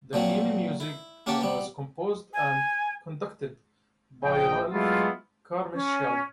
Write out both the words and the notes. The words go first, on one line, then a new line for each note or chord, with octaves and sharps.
The theme music was composed and conducted by Ralph Carmichael.
A#2 F3 F#3 C4
E4
A#3 C#4 G4 F#5 A5
G3 B3
G#5
A#1 D#5 G5
F#3 G#3 A3 B3 E4 F4
C#4